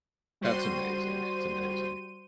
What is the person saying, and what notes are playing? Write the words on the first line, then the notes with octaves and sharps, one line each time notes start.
That's amazing, that's amazing.
G3 F#4 C5 C6 D#7